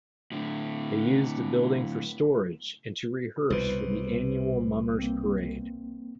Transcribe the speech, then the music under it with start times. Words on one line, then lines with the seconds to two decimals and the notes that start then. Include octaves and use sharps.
They used the building for storage and to rehearse for the annual Mummers Parade.
0.32 A2 D3
3.50 C2 B2 B4 C5
4.99 A#3 C4